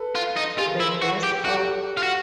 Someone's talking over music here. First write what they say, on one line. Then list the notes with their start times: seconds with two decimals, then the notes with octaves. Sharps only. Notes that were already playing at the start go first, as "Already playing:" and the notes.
The Best Of.
Already playing: A4 B4
0.15 F4
0.37 D#4
0.58 F4 G#4 A#4
0.80 E4
1.02 F#4
1.23 G4
1.45 F#4 G4 A4
1.97 F4
2.03 F#4